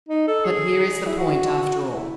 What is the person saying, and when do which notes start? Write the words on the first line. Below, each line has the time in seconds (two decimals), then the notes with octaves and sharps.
But here is the point, after all.
0.09 D#4
0.28 A4
0.45 G#4
1.07 E4
1.18 F#4
1.91 E4